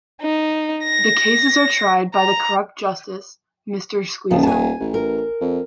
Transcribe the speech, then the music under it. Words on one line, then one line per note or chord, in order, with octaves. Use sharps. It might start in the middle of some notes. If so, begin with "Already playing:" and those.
The cases are tried by the corrupt justice, Mr. Squeezum.
D#4
A#6
A#5
D#1 C#3 F3
G#5 A5
A1
A#4
F2